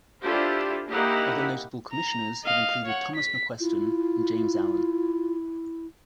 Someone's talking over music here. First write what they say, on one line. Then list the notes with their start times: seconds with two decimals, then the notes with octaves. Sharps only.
Other notable Commissioners have included Thomas McQuesten and James Allan.
0.22 D4 E4 F4 G4 A4 C5
0.89 A#3 D#4 E4 G4 F#5
1.92 A#5
2.45 D#5 F5
2.85 C#5 F#5
3.15 B6
3.59 E4 F4